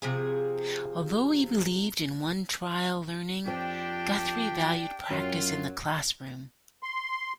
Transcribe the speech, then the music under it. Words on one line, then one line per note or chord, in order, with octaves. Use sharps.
Although he believed in one-trial learning, Guthrie valued practice in the classroom.
C3 F3 G#4
F2 F3 D4 G4 G5
F#2 F#3 F4
C6